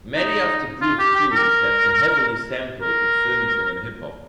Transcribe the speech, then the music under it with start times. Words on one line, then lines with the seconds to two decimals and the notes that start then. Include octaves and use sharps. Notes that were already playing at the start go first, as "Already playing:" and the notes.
Many of the group's tunes have been heavily sampled in films and in hip-hop.
0.16 D#4
0.81 F4
0.99 G4
1.15 G4
1.32 A#4
2.82 A#4